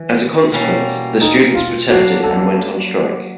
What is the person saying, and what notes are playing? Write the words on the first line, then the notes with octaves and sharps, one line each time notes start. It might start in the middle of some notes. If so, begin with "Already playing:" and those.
As a consequence, the students protested and went on strike.
Already playing: E3
B2 G3 A#3 C#4 E4
D#4
F4
F#3 A#3 D4 F#4
A4